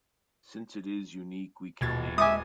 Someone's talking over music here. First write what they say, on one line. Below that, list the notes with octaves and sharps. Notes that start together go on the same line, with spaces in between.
Since it is unique we can name it.
D#1 B2 G#6 A6
G#3 E5 G#5 D6 D#6